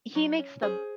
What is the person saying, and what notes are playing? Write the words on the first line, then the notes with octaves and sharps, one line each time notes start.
he makes the
F#3
C#4
C#4 G#4 C5